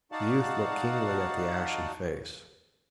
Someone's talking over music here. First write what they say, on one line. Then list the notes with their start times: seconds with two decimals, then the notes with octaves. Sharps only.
The youth looked keenly at the ashen face.
0.12 D#4 F#4 D5 F5 F#5 A5